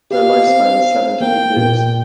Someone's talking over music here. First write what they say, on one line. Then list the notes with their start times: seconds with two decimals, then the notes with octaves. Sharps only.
Their lifespan is seven to eight years.
0.11 G4 F5
0.47 C4
0.84 C4
1.20 A#3 G5
1.56 A#2